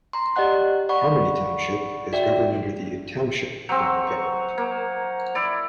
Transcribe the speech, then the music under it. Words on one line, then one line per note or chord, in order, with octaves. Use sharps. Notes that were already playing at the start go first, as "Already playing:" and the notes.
Harmony Township is governed under the Township form of government.
A#5 C6
G4 D5 D#5 F#5 F#6
D5 F#5 B5 C#6
F#4 D5 E5 G5
F#3 C4 C5 F#5 A#5
C#6
A#3
E4 D5